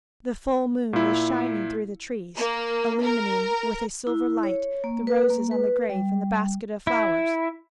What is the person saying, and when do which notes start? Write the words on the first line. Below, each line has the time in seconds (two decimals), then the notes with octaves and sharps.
The full moon was shining through the trees, illumining with a silver light the roses on the grave and the basket of flowers.
0.93 A#2 E4
2.36 A#3
3.03 A#4
4.07 E4
4.43 C#5
4.84 A#3
5.07 B4
5.30 A#3
5.51 B4
5.90 G3
6.87 E4